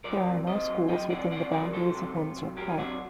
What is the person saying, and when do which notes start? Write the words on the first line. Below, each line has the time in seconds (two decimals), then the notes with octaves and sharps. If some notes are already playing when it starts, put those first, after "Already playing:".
There are no schools within the boundaries of Windsor Park.
0.04 F#3 A#4 D5
0.27 C3
0.47 C3 C5 D#5
0.69 F#3
0.89 F#3 D#5 G5
1.10 C3 D5 F#5
1.31 C3 D5 F#5
1.52 F#3 A#4 D5
1.73 F#3 A4 C5
1.95 C3
2.16 C3
2.37 F#3
2.57 F#3 G4 A#4
2.70 D#4
2.78 C3 D4 F#4